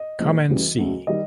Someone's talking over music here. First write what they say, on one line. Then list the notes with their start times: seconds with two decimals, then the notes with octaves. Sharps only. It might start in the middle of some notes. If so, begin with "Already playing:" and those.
Come and see.
Already playing: D#5
0.20 A#2 F3 G#3
0.49 D2 C#3 E3 G3
0.78 D2 C#3 F#3 A3
1.07 D#3 G3 D#5